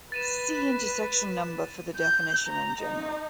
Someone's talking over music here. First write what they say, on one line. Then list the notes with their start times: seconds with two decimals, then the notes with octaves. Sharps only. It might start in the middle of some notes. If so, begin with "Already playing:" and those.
See intersection number for the definition in general.
0.12 B4 A6 D#7 E7
1.96 G6
2.47 A#5
2.81 D#4